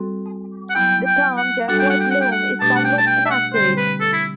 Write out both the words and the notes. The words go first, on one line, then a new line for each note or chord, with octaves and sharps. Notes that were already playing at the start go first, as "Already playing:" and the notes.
The term "Jacquard loom" is somewhat inaccurate.
Already playing: G3 C4 F#4 A4
F#5
F#3 B3 E4 G5
G5
F#5
G3 D4 F#4 A4 F#5
G5
F#5
G5
F#5
G5
F#5
B2 A3 D4 G4 A5
F#5
G5
A5
G5
E5
F#5
D3 G3 C4 G4 C5
B4
A4
E4